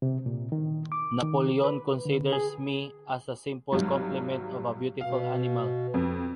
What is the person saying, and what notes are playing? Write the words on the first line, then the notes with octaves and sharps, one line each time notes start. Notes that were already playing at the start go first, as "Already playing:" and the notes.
Napoleon considers me as a simple complement of a beautiful animal.
C3
A#2
D#3
D6
D#3
B4
D3
G#4
G#1 F#3 G3
B2 F5
F2